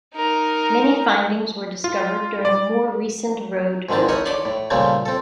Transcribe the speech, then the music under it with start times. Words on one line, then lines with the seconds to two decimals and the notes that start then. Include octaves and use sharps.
Many findings were discovered during more recent road building.
0.14 D#4 A#4
1.84 F4
2.45 D5
3.89 G#2 D3 D#3 C4 A5
4.08 D#4 E4 A#4 C#5 D#5
4.26 C#5 D5 B5 C6 D6
4.45 A2
4.70 A#2 C#3 F3 G3 A3 A#3
5.06 C4 A4